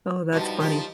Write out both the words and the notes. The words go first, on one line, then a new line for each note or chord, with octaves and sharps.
Oh, that's funny.
G2 F3 G3 D#4 F#4
D#3 F3 G3 D#4 G4